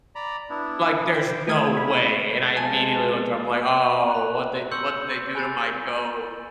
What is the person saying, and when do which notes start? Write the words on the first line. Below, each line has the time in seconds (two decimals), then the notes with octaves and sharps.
Like, there's no way, and I immediately looked at him, I'm like, "Oh, what'd they what did they do to my goat?"
0.15 D5 A#5 B5
0.50 B3 D4 E4
1.12 C5 G5
1.48 A3 E4 D#6 G#6
1.77 B5
2.57 F3 G#3 G#5 A5
4.11 B5 F#6
4.71 C6 C#6 E6 G6 C#7 F#7
5.35 G#5 B5 G6 A6